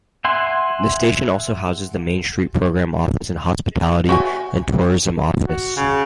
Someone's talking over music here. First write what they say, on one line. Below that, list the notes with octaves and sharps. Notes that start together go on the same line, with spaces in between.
The station also houses the Main Street Program Office and Hospitality and Tourism Office.
E5 F#5 G#5 C6
F#4 E5 G#5
F#4
C#3